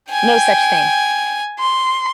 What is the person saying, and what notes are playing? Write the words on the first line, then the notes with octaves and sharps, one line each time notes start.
No such thing.
G5 G#5
C6